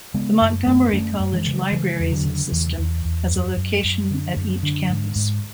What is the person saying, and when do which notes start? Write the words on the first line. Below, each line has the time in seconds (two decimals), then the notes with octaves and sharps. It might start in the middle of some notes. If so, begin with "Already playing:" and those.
The Montgomery College Libraries system has a location at each campus.
0.14 C#3 G#3 B3
0.41 F#2
0.67 F#2 A3 C#4
0.93 F#2 A3 C#4
1.19 F#2
1.33 E3 G#3
1.46 C#3
1.72 C#3 E3 G#3
1.99 E2
2.12 D3 F#3
2.25 C#3
2.52 E2 E3
2.79 E2
3.05 E2
3.30 F#2
3.57 F#2
3.84 F#2
4.10 D3
4.36 F#2
4.63 D3
4.90 G#2
5.16 G#2